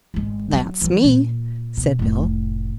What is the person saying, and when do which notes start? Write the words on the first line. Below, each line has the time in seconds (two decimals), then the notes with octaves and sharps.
"That's me!" said Bill.
0.14 G#1 G#3
0.53 F#3
0.81 E3 F#3
1.04 A#2
1.77 B2
1.99 F1 A2